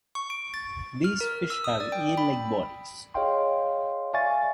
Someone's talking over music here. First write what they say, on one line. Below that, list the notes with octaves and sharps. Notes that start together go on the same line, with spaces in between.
These fish have eel-like bodies.
C#6
D7
A6
F6
A#4
E6
D#6
D5
G5
B5
G#4 C#5 D#5 F5 G5 C6
D5 E5 F5 G#5 C#6 A6